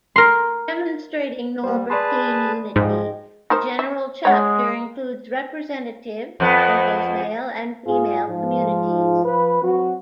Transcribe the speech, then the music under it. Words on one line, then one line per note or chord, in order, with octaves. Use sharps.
Demonstrating Norbertine unity, the general Chapter includes representatives from both male and female communities.
A#4 C6
G3 A#3 C5
G#4 B4 D5 A5 B5 C6
G#2 F3 G#4 D#5 G5
D#4 A#4 C5
E5
G#3 C#5 F#5
F2 B3
G#2 F4 G#4
G#2 F3
F3 B4
F#3 C4 F#4